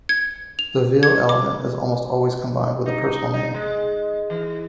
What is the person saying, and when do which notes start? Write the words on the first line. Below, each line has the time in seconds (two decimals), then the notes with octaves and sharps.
The "-ville" element is almost always combined with a personal name.
0.09 G#6
0.59 F7
1.03 G#6
1.29 D6
2.86 D#4
3.34 D#4
3.54 G#3
4.30 E3